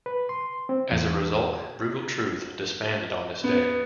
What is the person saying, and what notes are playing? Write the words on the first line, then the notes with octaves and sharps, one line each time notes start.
As a result, Brutal Truth disbanded on this day.
B4
C6
C4
E2
B3